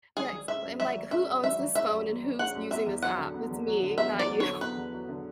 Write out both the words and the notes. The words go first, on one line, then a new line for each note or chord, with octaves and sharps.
Yeah, it's I'm like, "Who owns this phone and who's using this app? It's me, not you."
G#1 G#4
G#1
C#3 E5
F#2
G#1 E5
G#1
C#3 E5
F#2
G#1 E5
G#1
C#3 E5
F#2
G#1
G#1
C#3 F#5
F#2
B3 E5
E2
F#3 F#5
D3
B3
E2
F#3
D3
B3 E5
E2
D5
F#3
C#5
D3
B3 B4
E2
F#3
D3